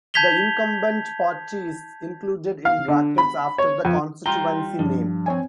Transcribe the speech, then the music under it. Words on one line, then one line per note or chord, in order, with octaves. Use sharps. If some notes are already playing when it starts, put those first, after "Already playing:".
The incumbent party is included in brackets after the constituency name.
A5 G6 G#6 B6 F7 G7
F5
D3
B5
C#5
F2
G3 F4 G5 A#5 C6
G2 F3
C4 C#5 G#5